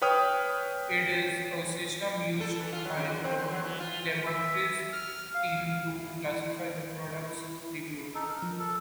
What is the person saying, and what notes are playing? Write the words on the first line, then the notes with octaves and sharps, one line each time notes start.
It is a system used by the laboratory's team to classify the products reviewed.
B4 C#5 G5 D#6 F6
A4
E3
F4
F#3
C#3
E2
C4
E2
F#3
E3
F4
E5
F6
F5
E4
E4
D#4 A4
A#4
F3
A4